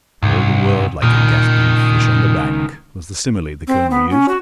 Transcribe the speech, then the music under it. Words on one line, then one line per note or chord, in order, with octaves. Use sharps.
"For all the world like a gasping fish on the bank," was the simile the colonel used.
C2 G#2
C#2 A#2 D#3
C4
B3
C#4
F#4